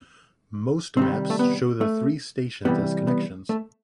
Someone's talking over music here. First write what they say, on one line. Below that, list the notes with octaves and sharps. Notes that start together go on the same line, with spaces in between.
Most maps show the three stations as connections.
C3 D#3 G3 C4
A3
B3
A3
C3 E3 G3 B3
B3
A3